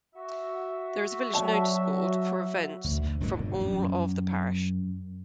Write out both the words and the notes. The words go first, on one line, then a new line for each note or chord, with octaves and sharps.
There is a village notice board for events from all of the Parish.
F#4 E5
D3 F#3 A5
D2
E1 G2 A#2 D3
F#2